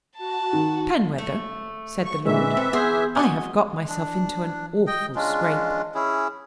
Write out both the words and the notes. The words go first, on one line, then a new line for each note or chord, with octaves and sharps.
"Penwether," said the Lord, "I have got myself into an awful scrape."
F#4 A5
D#3
A3
C#6
A#2 D3 E3 G#3 E5
C4 A4
B3 G#4 C6 G6
F#4 D#5 G#5
D4
D#5 G5
G#3 C#4 D4 F4
C#4 E4 G#4